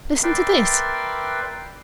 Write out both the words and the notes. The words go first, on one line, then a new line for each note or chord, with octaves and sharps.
Listen to this.
A#4 B4 D5 E5 G5 C6